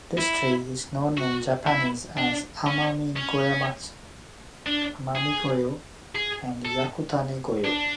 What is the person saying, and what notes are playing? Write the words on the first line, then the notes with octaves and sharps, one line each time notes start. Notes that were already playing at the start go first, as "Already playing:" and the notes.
This tree is known in Japanese as "amami-goyamatsu", "amami-goyo", and "yakutane-goyo".
E4
F#4
E4
D4
C#4
C#4
D4
G#4
G#4
A4
D4